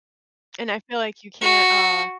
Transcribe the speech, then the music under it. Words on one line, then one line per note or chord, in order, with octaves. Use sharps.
And I feel like you can't, uh
F#4